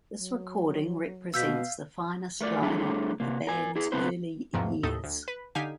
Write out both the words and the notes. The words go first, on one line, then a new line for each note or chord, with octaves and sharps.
This recording represents the finest lineup of the band’s early years.
F#3
B2 F#4 F5 E6 G6 B6
A3 A#4 D5
G3 A3 D4 E4 G#4 A4
C3 A#3
A#4 G#5
E4 G#4
C#3 B3 C4 E4 B4 C5
E2 G#2 C3 F3 F#3 A#3
D#2 A2 D#4 A4 D#6
D2
B4
D3 D#4 G4 F5 G#5 B6